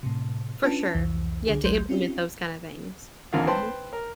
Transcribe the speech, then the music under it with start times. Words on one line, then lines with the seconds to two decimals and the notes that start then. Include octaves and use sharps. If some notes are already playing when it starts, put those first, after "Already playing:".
For sure. Yeah, to implement those kinda things. Mhm.
0.03 A2 C3
0.63 C#4 D4 F4 B4 A5
0.95 C2 F2 E3
1.47 C2 D3 D4 G#4
1.63 A1 D2 F#3 G#3 C6 G6
1.89 C4 C#4 D#4 F4 G4
3.33 G#1 E2 D3 A#3 F4 F5
3.47 B4 C5 G5 A5 C6
3.93 A#4